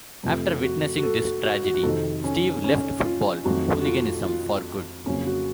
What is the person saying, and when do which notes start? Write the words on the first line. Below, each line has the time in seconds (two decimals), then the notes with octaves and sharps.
After witnessing this tragedy, Steve left football hooliganism for good.
0.23 F2 C3 F3 A3
0.63 F#4
0.97 F#4
1.03 A4
1.23 F#4
1.43 F#4
1.64 F#4
1.74 F#4
1.83 F2 C3 D#3 A4
2.24 C#4
2.64 C#4
3.05 F4
3.44 F2 D#3 F#3 A3 F#4
3.80 F#4
3.86 F4
4.25 F4
5.06 F2 C#3 F#3 A#3 C#4
5.27 F#4